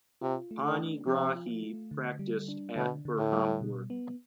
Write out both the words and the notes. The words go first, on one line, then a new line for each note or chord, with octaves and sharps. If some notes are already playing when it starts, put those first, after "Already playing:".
Panigrahi practiced at Berhampur.
C3 F4
A3
D3
D4
C3 F3
F4
A3
D3
G3
D4
B2 D3
D3
A2
G3
B2
B3